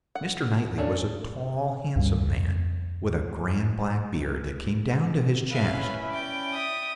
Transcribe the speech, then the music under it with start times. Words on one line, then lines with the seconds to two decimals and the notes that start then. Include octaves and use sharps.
Mr. Knightley was a tall, handsome man, with a grand black beard that came down to his chest.
0.15 F#5
0.78 A3 A#3 C#4 D4
1.96 C#2 G2 C#3 G3
2.27 F2
5.51 C#4 E4 B4 E5 F5
6.10 D5 G5
6.54 E5 D#6